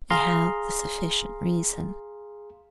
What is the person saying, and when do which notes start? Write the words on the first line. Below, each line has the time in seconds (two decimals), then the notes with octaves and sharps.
We have the sufficient reason.
0.10 G#4 F5 A#5 C6